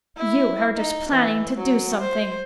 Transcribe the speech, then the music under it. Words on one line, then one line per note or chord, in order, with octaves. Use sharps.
"You heard us planning to do something."
E4
D#4
E3
F#3
C5